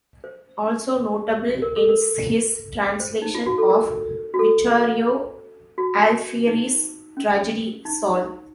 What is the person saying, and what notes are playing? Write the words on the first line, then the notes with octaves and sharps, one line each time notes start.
Also notable is his translation of Vittorio Alfieri's tragedy "Saul".
C5
A#4
A4
A#4
C5
D#4
F4
F#4
A4
A#4
F#4
A4
F#4
D#4
C#4
D#4